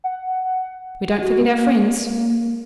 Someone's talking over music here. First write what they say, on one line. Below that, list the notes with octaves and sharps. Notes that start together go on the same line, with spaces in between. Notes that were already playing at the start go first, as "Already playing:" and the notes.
We don't forget our friends.'
F#5
F#4
A#3